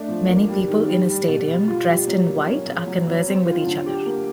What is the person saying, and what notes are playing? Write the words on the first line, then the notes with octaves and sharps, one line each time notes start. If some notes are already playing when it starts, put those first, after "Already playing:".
Many people in a stadium dressed in white are conversing with each other.
Already playing: A3 D4
F3
A#3
G3
D#3
G3
G3
B2
G3
F4
G3
F#3
A#3
C#4
C#3
F#3
F#3
C4
F4
D3
G4
A#3